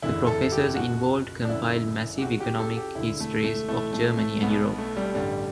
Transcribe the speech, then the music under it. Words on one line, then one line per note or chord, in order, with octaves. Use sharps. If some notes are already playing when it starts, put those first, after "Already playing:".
The professors involved compiled massive economic histories of Germany and Europe.
F#1 E2 D3 E4
A4
G4
C#2 B2 F#4
D4
F#1 F#2 D3 E4
G4
C#2 C#3 E3 F#4
G4
A4
G4
E1 D2 D3 E4
A3
A3
B1 A2 E3 A3
A3
A3
B1 B2 B3
A3
G3
A1 G2 D3 G3